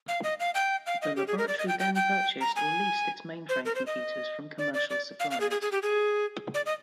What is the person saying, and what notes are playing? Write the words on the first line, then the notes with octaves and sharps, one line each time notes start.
The Laboratory then purchased or leased its mainframe computers from commercial suppliers.
F5
D#5
F5
G5
F5
D#5
G4
G#4
A#4
D5
D#5
G5
G5
G5
A#5
G#5
C5
A#4
C5
D#5
D5
D5
D5
F5
F5
G#4
G#4
G#4
G4
G#4
D5
D#5